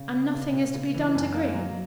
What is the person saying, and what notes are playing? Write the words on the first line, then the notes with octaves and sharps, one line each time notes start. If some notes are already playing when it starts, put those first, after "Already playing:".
"And nothing is to be done to Green!"
Already playing: C#3
B3
C#3
C#3
C#3
E3
F#2
A#3
F#3